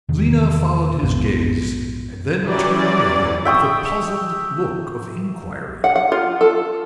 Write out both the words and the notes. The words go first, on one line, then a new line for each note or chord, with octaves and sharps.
Lena followed his gaze, and then turned to him with a puzzled look of inquiry.
E2 C3 D#3
A#1 F2 G#2 B2
E3 F#3 G3 C#4 D5
E5 G5 C#6 D#6
F#5
F#5
F4
A4